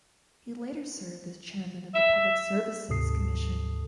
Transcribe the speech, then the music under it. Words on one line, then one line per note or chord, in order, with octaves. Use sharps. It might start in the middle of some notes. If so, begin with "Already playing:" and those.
He later served as Chairman of the Public Services Commission.
E5
D2 G#2 C3 A4 D#6 C7